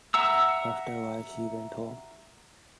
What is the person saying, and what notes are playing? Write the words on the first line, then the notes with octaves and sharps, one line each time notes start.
After a while she went home.
E5 F#5 A#5 E6